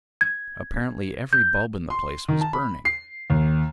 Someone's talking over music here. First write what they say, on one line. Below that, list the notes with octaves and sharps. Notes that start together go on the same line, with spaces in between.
Apparently every bulb in the place was burning.
G#6
G6
C6
D#3
A5
B5
C7
D#2